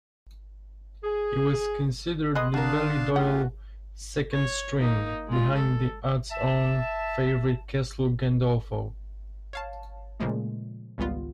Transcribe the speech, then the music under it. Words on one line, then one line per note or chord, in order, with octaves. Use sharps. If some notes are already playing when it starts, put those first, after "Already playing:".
He was considered the Ballydoyle second string, behind the odds-on favourite Castle Gandolfo.
G#4
B3 G#4 D#5 C6 D#6 F#6
D3 D4 F#4 A#4 F5 A5
A3 F4 G4 F#5
F#4
C#5
A#3 D#4
G#3 F4
A4
E5 A5
C#5 F5 A5
A#2 C#3 F3 G#3 A3
G#1 C#2 G3 B3 F4